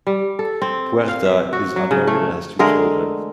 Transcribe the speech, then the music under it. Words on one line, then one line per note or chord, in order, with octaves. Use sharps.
Puerta is unmarried and has two children.
G3
A4
C4
F5
E5
F#4
F#3
C#3
A3
D3 G#3 A3 A#4